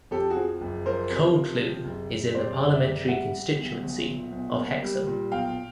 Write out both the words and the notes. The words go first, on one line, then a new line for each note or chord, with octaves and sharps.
Coalcleugh is in the parliamentary constituency of Hexham.
F2 G4 A4
F#4 G#4
F3
F#1
F3 A#4 C5
C3
F3
C3
F#1
F#1
C3 C5 D5
F#1
D5 E5
C3
G3 E5 F#5
G3
B1
B1
A#2
B1
A#3
G3
A#2
B1 F5 G5